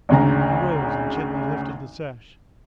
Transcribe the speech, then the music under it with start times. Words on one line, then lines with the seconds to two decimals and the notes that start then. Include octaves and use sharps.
He rose and gently lifted the sash.
0.09 G#1 D2 C#3 A#5